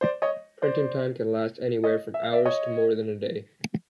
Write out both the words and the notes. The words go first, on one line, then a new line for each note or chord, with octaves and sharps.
Printing time can last anywhere from hours to more than a day.
C5 D5
C#5 D#5
C5 D5
C#5 D#5
E5
F5
D5 E5
C#5 D#5